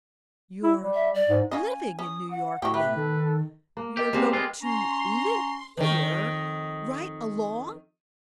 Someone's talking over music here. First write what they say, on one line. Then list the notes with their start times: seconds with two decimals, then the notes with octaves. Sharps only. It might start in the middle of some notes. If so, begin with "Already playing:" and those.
"You're LIVING in New York, then--you're going to live here right along?"
0.63 E4
0.77 G3
0.94 E5
1.14 D5
1.29 G#2
1.51 C#4 F4 D#5 G#5
1.99 C#4 D#6
2.30 F#5
2.62 A2 F#3 G4 C#6
2.74 G4 B4 E5
2.96 D#3 A4
3.77 A#3 A#5
3.97 G4 A#4 D#5
4.13 G3 G#3 A#3 C4 F#5
4.33 G#3 F4 B4 G5 D6
4.63 C#4 A#5 C6
5.77 F2 D#3